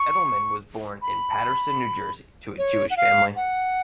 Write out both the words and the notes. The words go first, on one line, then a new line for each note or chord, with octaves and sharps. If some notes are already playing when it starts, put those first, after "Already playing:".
Edelman was born in Paterson, New Jersey, to a Jewish family.
Already playing: C#6
B5
C#5
F#5
F5
F#5